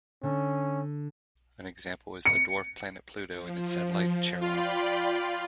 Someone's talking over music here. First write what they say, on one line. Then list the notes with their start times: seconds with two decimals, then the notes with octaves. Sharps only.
An example is the dwarf planet Pluto and its satellite Charon.
0.23 D3 C#4
2.26 C#7
3.30 F3
4.41 F4 D5 G5 B5